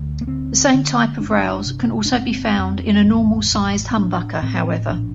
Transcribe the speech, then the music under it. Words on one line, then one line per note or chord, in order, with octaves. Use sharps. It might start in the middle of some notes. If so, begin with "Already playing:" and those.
The same type of rails can also be found in a normal-size humbucker, however.
Already playing: D2
A#3
D3 C4
D3
G1 D4
C4
D4
C3
D4
G1 C4
F2
A1
A1
C4
A2 D4
A2 C4
A#1 D4